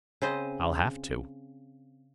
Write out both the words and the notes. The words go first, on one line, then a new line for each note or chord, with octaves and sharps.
I'll have to.
C#3 C4 C5 D#5